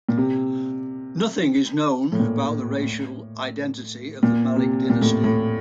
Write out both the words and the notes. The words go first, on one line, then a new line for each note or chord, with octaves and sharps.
Nothing is known about the racial identity of the Malik dynasty.
A#2
C3
A2
A#2
A#2
C3
A#2
A2
A2